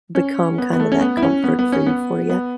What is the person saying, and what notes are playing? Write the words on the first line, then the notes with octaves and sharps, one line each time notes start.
become kinda that comfort food for ya.
C#4
B3
B3
A3
C#4
B3
E4
C#4
B3
B3
C#4
B3
B3